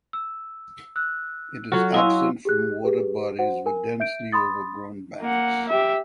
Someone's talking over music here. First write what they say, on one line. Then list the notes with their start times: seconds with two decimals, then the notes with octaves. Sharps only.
It is absent from water bodies with densely overgrown banks.
0.13 E6
0.96 E6 F#6
1.72 F#3 F4 F#4 A4
1.94 C#4 E4 D#5 F5 C6 E6
2.45 G4 G#4 F#6
2.84 G4 G#4 B4
3.39 F#4 C5 F#5
3.66 A#4 G#5
4.00 E5 G6 D7
4.32 B5 C6 D#6 A6
5.21 A#3 F#5
5.68 G4 E5